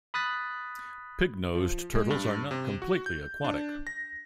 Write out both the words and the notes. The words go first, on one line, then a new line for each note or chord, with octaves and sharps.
Pig-nosed turtles are not completely aquatic.
B5 D#6 F#6 A6 B6
F3
G#3
G2
C3
F#4
G6
D4
A#6